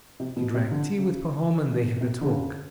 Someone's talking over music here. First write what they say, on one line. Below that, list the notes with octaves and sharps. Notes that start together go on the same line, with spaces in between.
He drank tea with Pahom, and they had a talk.
C3
B2
C3
D3
C#3
B2
C3
D3
C#3